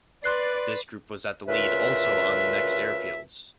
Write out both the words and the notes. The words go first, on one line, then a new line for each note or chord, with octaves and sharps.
This group was at the lead also on next airfields.
B4 D5 C6 F#6 C7
D2 C#3 F4 A#4 B4 E5